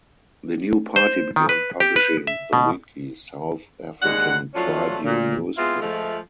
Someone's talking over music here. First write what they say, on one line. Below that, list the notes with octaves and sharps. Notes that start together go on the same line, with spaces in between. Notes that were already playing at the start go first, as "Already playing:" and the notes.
The new party began publishing the weekly "South African Tribune" newspaper.
C5
D#3
B4
G4
B4
E5
B2
D#2 G#2 G#3 D4 F#5
F3 F#3 A3 C#4 D4 F4
A#2
G#3 B3 C4 E4 F4
F3 G#3 A3